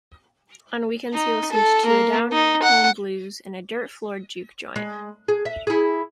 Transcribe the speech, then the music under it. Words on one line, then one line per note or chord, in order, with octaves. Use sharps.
On weekends he listened to down-home blues in a dirt-floored juke joint.
D#4
A4
A#3
D#4
F#5
G#3
G#4
E5
E4 G#4